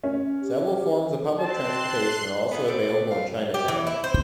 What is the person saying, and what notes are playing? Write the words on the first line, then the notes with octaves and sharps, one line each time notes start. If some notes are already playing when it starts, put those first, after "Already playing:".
Several forms of public transportation are also available in Chinatown.
C#4
G4
C4 A5 C6 F#6 C7
B3 G#4 A4 F5
B3 A4 C5 D5
F5
G4
E3
E4
C5